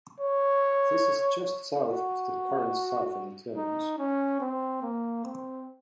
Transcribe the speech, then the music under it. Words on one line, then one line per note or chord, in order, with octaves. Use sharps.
This is just south of the current southern terminus.
C#5
F#4
D#4
C#4
C4
A#3
C4